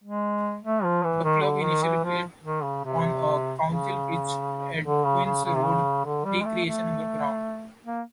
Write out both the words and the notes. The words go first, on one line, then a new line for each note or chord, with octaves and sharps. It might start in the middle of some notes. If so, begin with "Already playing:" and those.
The club initially played on a council pitch at the Queen's Road recreation ground.
G#3
A3
F3
E3
D#3
D3
D#3
E3
F3
D#3
C#3
C3
C#3
D3
C#3
C#3
C#3
C3
C#3
D3
G3
G#3
A3
A3
A#3